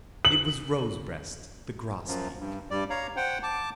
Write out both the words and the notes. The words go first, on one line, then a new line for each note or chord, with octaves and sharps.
It was Rosebreast the Grosbeak.
F#7
F#2 F3
G2
G2 G3 D5
C#5 F5 A#5
C5 F#5 G5
A5 D6